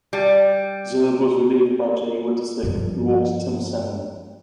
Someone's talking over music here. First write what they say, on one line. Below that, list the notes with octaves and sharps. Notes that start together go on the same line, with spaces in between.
Zerbe was relieved by Jay Witasick, who walked Tim Salmon.
G3
G2 F3